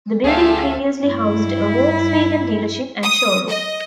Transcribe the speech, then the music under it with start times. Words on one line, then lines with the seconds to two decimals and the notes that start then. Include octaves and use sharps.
The building previously housed a Volkswagen dealership and showroom.
0.24 D2 A3 F4 G#4 A4 E5 F5 G5
1.05 G2 E4
3.03 D#6
3.49 D#5